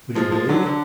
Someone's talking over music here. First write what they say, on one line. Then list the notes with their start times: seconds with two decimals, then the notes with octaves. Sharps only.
Would you believe it?
0.15 F3 G#3
0.31 F3 G#3
0.49 D3 F#3
0.66 D3